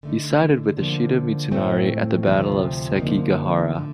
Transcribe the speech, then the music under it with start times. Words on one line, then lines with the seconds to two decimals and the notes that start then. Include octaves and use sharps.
He sided with Ishida Mitsunari at the Battle of Sekigahara.
0.03 D3 A3 D#4
0.77 D3 F3 A#3
1.51 A2 A3 C4
2.25 D2 C3 F3
2.99 D3 F3 A#3 D#4
3.75 D3 A3